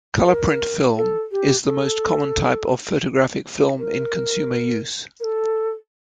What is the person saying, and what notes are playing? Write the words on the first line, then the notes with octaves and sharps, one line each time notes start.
Color print film is the most common type of photographic film in consumer use.
C5
A#4
A4
G4
A4
A#4
A#4
A4